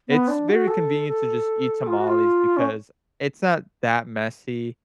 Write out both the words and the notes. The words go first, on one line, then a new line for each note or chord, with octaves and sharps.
It's very convenient to just eat tamales because it's not that messy.
B3
D4
F#4
A4
A4
F4
F#4
F4
C#4